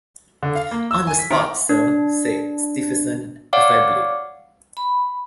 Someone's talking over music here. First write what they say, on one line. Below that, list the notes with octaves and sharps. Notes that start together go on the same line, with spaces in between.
"On the spot, sir," said Stephenson affably.
D3
F5
A#3
E6
G#5
B6
D#3
D4
C#5 D5 F5 F#5 D6
B5